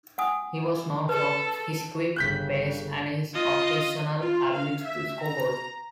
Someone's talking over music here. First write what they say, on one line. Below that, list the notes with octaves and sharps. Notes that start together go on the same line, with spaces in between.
He was known for his quick pace and his occasional ability to score goals.
F#5 G#5 D#6
A4 B4
G1 C#3 F#6 G6 B6
F4 D#5
F4
F5
E5
A#5